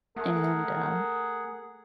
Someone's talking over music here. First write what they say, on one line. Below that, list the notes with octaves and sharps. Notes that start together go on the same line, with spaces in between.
And, uh,
A3 G#4 A#4 F#5